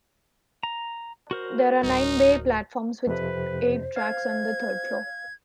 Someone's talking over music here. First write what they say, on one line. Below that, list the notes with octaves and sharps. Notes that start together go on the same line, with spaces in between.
There are nine bay platforms with eight tracks on the third floor.
A#5
F#4 A#4 C5
D1 B1 G3 D#4
F2 C3 B4 C5
F5 G#6